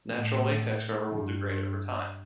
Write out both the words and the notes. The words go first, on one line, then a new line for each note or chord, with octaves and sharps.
Natural latex rubber will degrade over time.
A2
G2